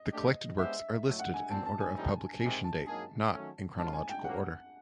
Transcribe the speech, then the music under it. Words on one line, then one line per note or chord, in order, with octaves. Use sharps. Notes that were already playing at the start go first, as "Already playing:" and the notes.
The collected works are listed in order of publication date, not in chronological order.
Already playing: D#5
A3 D4 G4
G#3 B3 D4 G4 C5 E5
A2 F#3 A3
F#5
G#5
A#2 G3 C4 A5
A5
G#5
A2 E3 G3 C4 D#4
C3 D#3 G#3 G#5
A5
F#3 A#3 D#4 G#4 A5
D#3 F#3 A3 C#4
B2 G#3 C#4 F4 A5
G#5
G5
A2 F#3 A#3 D4 F#5